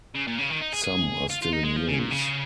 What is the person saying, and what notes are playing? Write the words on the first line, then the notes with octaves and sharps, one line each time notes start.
Some are still in use.
C#3
A#2
C#3
D#3
D#4
G#4
G#4
F4
F4
D#4
G#3
F3
C#3
A#2
C#3